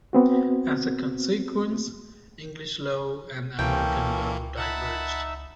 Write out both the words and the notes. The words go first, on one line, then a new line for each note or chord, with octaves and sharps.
As a consequence, English law and American law diverged.
B3 C4 F#4
C#2 E3 A#3 C#4 A4 G5
D#4 E5 F#5 A5 B5